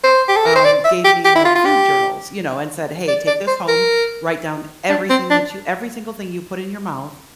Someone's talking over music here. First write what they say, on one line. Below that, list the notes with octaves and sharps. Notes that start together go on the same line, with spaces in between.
um, gave me, like, food journals, you know, and said, "Hey. Take this home. Write down everything that you every single thing you put in your mouth.
C5
G4
A4
A#4
C5
D5
E5
G4
G4
E4
F4
F4
G4
D5
D5
C5
A#4
D4
C4
D4